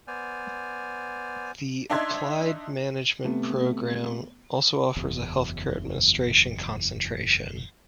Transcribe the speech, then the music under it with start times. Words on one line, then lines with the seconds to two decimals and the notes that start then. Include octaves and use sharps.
The Applied Management program also offers a Healthcare Administration concentration.
0.07 B3 C5 D5 G#5 F6
1.90 D4 D#4 E5 C6 G#6
3.24 C3 G3 A3 B3
4.96 F#1 E2